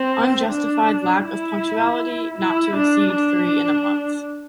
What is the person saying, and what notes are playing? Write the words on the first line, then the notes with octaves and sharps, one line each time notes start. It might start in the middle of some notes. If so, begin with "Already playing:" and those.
Unjustified lack of punctuality, not to exceed three in a month.
Already playing: C4
D4
E4
E4
D4
D4